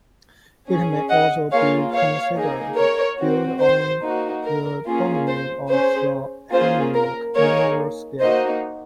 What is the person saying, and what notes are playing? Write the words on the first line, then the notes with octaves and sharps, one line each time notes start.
It may also be considered built on the dominant of the harmonic minor scale.
C#4 G#4
D#5 F#5
A#3 F4 G#4 C#5 F5
C#5 F5
A#3 D#4 G#4
A#4 C#5
C4 F#4
C5
A#3 D#4 F#4
A#4
A#3 C#4 F4 G#4
C5
C#4 G#4 C5
A#3 C#4 F4 G#4 C5
A#4
A#3 D#4 G#4 A#4 C#5
A#3 D#4 F#4 C5 D#5